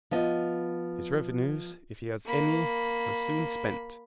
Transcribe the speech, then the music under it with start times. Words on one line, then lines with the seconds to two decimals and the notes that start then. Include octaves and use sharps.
His revenues, if he has any, are soon spent.
0.11 F3 B3 D#5
2.26 A#3 B5